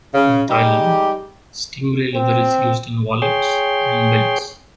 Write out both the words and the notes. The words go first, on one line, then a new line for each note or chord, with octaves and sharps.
In Thailand, stingray leather is used in wallets and belts.
C#3
G3 G#3 D#4 G4
C4
G#4 C#5 G5 C6